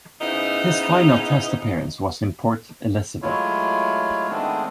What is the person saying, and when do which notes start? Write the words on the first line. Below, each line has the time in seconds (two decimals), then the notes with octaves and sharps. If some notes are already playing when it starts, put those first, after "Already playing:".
His final test appearance was in Port Elizabeth.
0.21 C#3 B3 D#4 E4 C5
3.22 F#3 G#3 A3 E4 F4 C#5
4.30 D#3 G#3 A3 B3 C4 D4